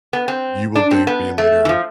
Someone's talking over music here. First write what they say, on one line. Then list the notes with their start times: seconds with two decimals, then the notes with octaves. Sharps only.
You will thank me later,
0.13 B3
0.28 C4
0.76 D4
0.91 C4
1.07 B3
1.38 A3
1.65 E3
1.69 F3